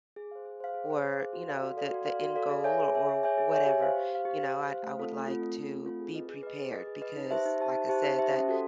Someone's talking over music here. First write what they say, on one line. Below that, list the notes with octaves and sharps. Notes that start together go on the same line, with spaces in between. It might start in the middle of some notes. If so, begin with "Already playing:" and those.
or, you know, the the end goal or or whatever, you know, I I would like to be prepared because, like I said, that
G#4
C5 F5
G#4
C5 F5
G#4
C5 F5
G#4
C5 F5
F#4
A4 D5 F5
F#4
A4 D5 F5
F#4
A4 D5 F5
F#4
A4 D5 F5
G#4
C#5 E5 G#5
G#4
C#5 E5 G#5
G#4
C#5 E5 G#5
G#4
C#5 E5 G#5
G4
C5 F5
G4
C5
F5
G4
C5 F5
G4
C5 F5
A3
C4 F4 A4
A3
C4 F4 A4
A3
C4 F4 A4
A3
C4 F4 A4
G#4
B4 D#5
G#4
B4 D#5
G#4
B4 D#5
G#4
B4 D#5
D#4
G4 C5 E5 A5
D#4
G4 C5 E5 A5
D#4
G4 C5 E5 A5
D#4
G4 C5 E5 A5
C#4
F#4 A4